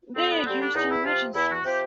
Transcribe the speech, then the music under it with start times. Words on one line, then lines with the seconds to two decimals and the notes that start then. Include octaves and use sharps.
They are used in emergencies.
0.15 F2 C4
0.30 B3
0.45 D3 G3 C4
0.60 D4
0.75 E2 D#4
0.90 E4
1.05 C3 F3 F4
1.34 E2 E4
1.50 F#4
1.64 C3 F3 G4